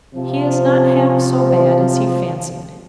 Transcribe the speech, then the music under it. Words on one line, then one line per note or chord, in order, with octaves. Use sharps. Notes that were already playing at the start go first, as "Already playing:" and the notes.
He is not half so bad as he fancied.
C3 F3